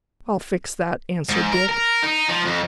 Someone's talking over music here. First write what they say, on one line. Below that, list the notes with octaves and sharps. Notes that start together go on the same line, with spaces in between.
"I'll fix that," answered Dick.
G#2
A#4
A#4
D#4
F3
F2